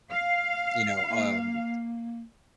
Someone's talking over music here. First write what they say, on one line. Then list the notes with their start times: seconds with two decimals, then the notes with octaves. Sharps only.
you know, um,
0.12 F5
1.10 A#3